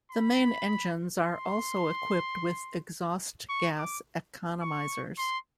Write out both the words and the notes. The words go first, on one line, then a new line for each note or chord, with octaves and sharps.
The main engines are also equipped with exhaust gas economizers.
B5
C6
C#6
D6
C#6
C6